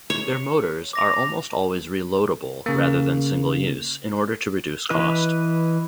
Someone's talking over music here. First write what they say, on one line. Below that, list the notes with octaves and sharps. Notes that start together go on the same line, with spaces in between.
Their motors are almost always reloadable rather than single-use, in order to reduce cost.
C#5
D6 A#6 F7
C#3 A#3
E3 B4 D#5